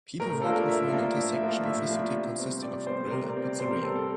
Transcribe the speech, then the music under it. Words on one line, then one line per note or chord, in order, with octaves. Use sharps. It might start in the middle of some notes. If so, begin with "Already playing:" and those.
People walking through an intersection of a city consisting of a grill and pizzeria.
A2 A#4
F3 A#3 D4 F4 A4
A#4
A2 E5
F3 A#3 D4 F4
A2 E5
F3 A#3 D4 F4
A2 E5
F3 A#3 D4 F4
C3
G3 C4
C3 D5
G3 C4 C5
C3 A#4
D5
G3 C4
D5
C3 C5
A#4
G3 C4 A4
A4